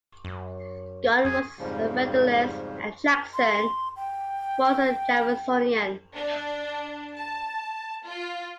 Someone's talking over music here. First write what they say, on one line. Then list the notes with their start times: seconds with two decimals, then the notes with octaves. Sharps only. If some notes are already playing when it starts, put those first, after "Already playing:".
Gunn was a Federalist, and Jackson was a Jeffersonian.
0.25 F#2
1.25 F#2 G#4
1.59 F2 G#2 C#3 F3 G3
3.34 C6
3.96 G5
6.15 D4
7.17 A5
8.06 F4